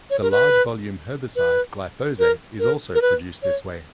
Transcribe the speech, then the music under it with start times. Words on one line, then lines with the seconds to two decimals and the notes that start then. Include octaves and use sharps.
The large volume herbicide glyphosate is also produced this way.
0.10 C#5
0.22 A#4
0.31 B4
1.36 B4
2.19 A#4
2.59 A#4
2.95 A#4
3.02 B4
3.43 C#5